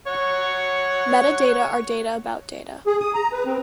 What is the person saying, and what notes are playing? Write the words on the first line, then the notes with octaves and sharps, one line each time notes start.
Metadata are data about data.
C#5 F#5
G#4
D#6
A#5
B4
C4